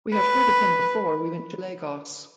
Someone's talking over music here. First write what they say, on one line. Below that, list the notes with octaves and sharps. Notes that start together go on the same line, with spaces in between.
We had heard of him before we went to Lagos.
B4